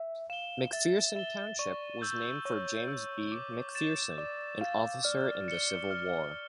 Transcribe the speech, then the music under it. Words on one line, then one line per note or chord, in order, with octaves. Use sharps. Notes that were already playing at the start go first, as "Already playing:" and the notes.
McPherson Township was named for James B. McPherson, an officer in the Civil War.
Already playing: E5
F5 E7 G7
E5 A6
E5 E7 G7
D5 C#6
E6 G6
C#5 C#6
E6
G6
D6
A6 E7
D5 D6
F5 A6 E7
D5 F6
C#7 G7
F6